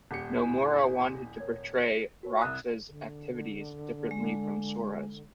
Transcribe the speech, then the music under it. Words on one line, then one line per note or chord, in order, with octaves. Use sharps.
Nomura wanted to portray Roxas' activities differently from Sora's.
D#1 G4 F#5 C#7
E4 G#5 B5
A#4 C#5 G#6
F#4 A#4 C#5
C2 B5 D#6 E6 F#6
D3
G#3